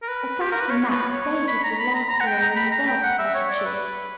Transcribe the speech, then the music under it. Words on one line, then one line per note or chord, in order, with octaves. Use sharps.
Aside from that, the stage is the last career in the world that I should choose.
A#4
B4
G4
A#4
B4
C#5
B4
C#5
C#5
B5
A#5
B5
A#5
A#5
F#5
G5
A#5
B5
A#5
G5
F#5
E5
C#5
D5
B4